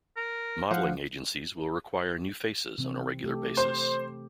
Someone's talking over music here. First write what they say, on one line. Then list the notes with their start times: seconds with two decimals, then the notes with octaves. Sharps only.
Modelling agencies will require new faces on a regular basis.
0.17 A#4
0.71 F3 F5 F#5
2.78 C3 E3 C4
3.23 A3 G4 A4
3.57 C5